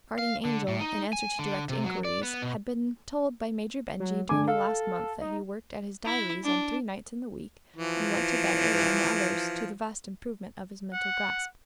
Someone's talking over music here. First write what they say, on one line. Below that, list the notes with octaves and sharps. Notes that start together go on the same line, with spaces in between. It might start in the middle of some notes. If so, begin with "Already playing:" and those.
Guardian Angel, in answer to direct inquiries, had been told by Major Benjy during the last month that he worked at his diaries on three nights in the week and went to bed early on the others, to the vast improvement of his mental grasp.
F5
D3
A2
D#4
G#5
D3
C3
F#3
D5
B3
B2
F#3
D3 G#5 D6
A4 F5
D#4
E4
D4
E3 F3
F#5